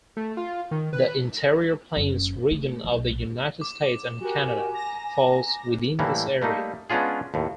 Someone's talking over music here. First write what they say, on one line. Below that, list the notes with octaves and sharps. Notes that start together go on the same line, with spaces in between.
The Interior plains region of the United States and Canada falls within this area.
A3
F4
D#3
B4
F#1
A3
B1
D6
F#4 G4 A#4 G#5
A#5 A#6
A2 E3 G3 A#3
G3 A3 A#3 D#4
G#3 B3 C#4 D4 F4 G#4
D#2 A2